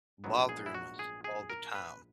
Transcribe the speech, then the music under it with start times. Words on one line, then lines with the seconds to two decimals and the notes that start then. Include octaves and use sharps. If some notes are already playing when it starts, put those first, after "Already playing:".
bothering us all the time
0.24 A#1 G#2 F#3 B3
0.49 G#4
0.66 E4
0.75 F#4
0.99 G#4
1.24 G#4
1.50 A#4
1.75 B4